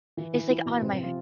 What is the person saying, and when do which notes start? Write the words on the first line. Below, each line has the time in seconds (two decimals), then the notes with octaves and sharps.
is like, on my
0.17 E3 E4
0.34 E3 E4
0.50 E3 E4
0.65 B2 B3
0.82 C3 C4
0.92 C3 C4
1.03 F3 F4